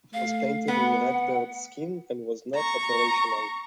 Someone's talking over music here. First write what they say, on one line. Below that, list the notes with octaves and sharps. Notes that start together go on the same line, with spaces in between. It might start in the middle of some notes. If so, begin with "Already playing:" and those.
It was painted in redbird scheme and was not operational.
A3 F5
B3 F#5
A#5 C#6